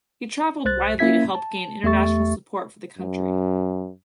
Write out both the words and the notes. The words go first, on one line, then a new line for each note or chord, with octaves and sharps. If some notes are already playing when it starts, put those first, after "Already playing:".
He traveled widely to help gain international support for the country.
C2 C5 F#6 A6
A#3 C#4 E4 E5 G#6 B6
A5
E2 A3 G4 E5 C#6 A6
F#2